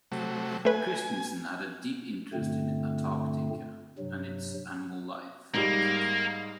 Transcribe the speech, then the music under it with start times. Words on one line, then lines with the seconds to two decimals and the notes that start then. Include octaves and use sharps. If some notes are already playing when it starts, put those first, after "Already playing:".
Christensen had a deep interest in Antarctica and its animal life.
0.12 C3 F#3 A3
0.65 A3 B4 G#5
2.34 G2 A#2 D3 A3 C4
3.99 G2 C3 F#3
5.54 G#2 G3 A#3